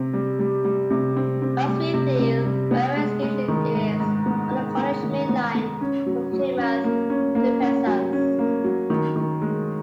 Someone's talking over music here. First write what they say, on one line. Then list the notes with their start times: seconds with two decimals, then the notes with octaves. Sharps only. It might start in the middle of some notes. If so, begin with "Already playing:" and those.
Lostwithiel railway station is on the Cornish Main Line from Plymouth to Penzance.
Already playing: C3 C4
0.13 G3
0.39 G3
0.65 G3
0.90 C3
1.16 C4
1.42 C4
1.68 G3
1.94 C3
2.19 C3
2.45 G3
2.71 B3
2.97 G#3
3.23 G#3
3.48 D#3
3.74 G#2
4.00 G#2
4.26 B3
4.51 B3
4.77 B3
5.03 D#3
5.29 B3
5.55 B3
5.81 C#4
6.06 F#3
6.33 F#3
6.58 C#4
6.84 A#3
7.10 C#4
7.35 A#3
7.61 C#4
7.87 F#3
8.13 C#4
8.39 A#3
8.64 F#3
8.90 D#3
9.16 D#3
9.42 G#3